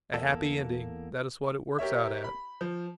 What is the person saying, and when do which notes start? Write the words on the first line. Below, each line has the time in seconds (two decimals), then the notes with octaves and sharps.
A happy ending, that is what it works out at.
0.14 E2 A#3 A4
1.79 G4 A#4 C#5 E5
2.24 B5
2.61 F3